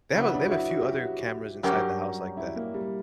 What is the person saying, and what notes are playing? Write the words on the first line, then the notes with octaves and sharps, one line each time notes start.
They have a they have a few other cameras inside the house like that,
C#3 F#3 B3 E4
D4
F#4
E4
F#4
G4
F#4
G2 F#3 C#4 G4 A#4
E4
A#3
G3